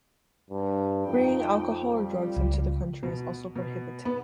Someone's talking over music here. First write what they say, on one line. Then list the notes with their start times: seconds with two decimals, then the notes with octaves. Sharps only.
Bringing alcohol or drugs into the country is also prohibited.
0.50 G2
1.06 F2 D#4 G5
1.94 G3 F4
2.37 C#2
3.03 B2
3.56 B2
4.05 B3